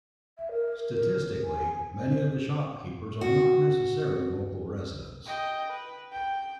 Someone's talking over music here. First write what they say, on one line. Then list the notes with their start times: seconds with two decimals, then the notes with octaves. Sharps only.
Statistically, many of the shopkeepers are not necessarily local residents.
0.38 E5
0.52 A#4
0.91 A#4
1.43 G#5
1.97 C5
3.21 F#4
5.26 D#5 G5
5.69 B4
6.12 G5